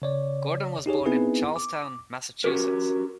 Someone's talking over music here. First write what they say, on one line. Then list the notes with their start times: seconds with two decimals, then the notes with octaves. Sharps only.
Gordon was born in Charlestown, Massachusetts.
0.02 C#3 C#5 D5
0.86 D#4 G4 G#4 C#5
1.06 B3 C4 D#4 E4 G#4 B4
1.56 D6
2.44 C#4 F#4 G4 A#4